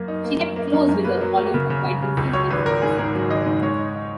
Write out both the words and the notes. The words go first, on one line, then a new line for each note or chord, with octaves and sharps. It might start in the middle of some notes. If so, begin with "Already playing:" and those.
She kept close with her Hollywood acquaintances and friends.
Already playing: F#2 A#3
D#4
A#3
F#2
A#3
F#2
F#2
A#3 B4
F#3
A#3
C#3
C#3
C#3
C#3
C#2
F#3 C#5
G#1 B4
G#1 A#4
G#2 G#4
G#2 A#4
F#3
G#1 D#5
G#2
G#3 C#5
D#4
D#4